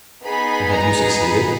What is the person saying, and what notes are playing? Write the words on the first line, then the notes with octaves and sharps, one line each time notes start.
"And have you succeeded?"
B3 D#4 G#4 B5
A#5
B5